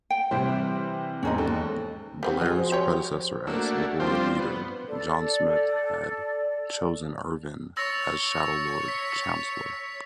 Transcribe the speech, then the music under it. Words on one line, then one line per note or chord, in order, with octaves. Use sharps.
Blair's predecessor as Labour leader, John Smith, had chosen Irvine as Shadow Lord Chancellor.
G5
C3 E3 G3 C5
E2 G#2 C#4 D#4 D#5
D#2 A4
G3 C4 F#4
F3 G#3 D#5
F#4 C5
G4 C#5
A3 A#3 D4 F#4
F3 G3 C4 D4 F4 C5
B3
A4 D5
C#5 E6 A6 A#6
B6